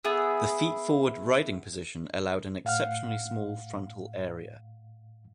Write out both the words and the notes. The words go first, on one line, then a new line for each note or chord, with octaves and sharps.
The feet forward riding position allowed an exceptionally small frontal area.
B3 E4 G#4
A2 F5 F#5 F6